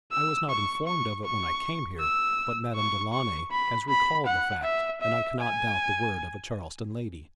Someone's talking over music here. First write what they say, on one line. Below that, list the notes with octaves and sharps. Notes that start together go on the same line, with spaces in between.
I was not informed of it when I came here, but Madame Delaunay has recalled the fact and I cannot doubt the word of a Charleston lady.
E6
C#6
C#6
C#6
E6
C#6
C#6
B5
B5
F#5
E5
E5
G#5